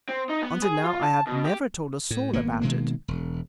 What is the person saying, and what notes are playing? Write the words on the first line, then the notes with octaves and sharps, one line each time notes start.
Until now I have never told a soul about it.
C4
D#4
B3
G#4
F4
A5
B2
G4
A2
G#1 A#3 B3
B2 D#3 G#3 A#3
E1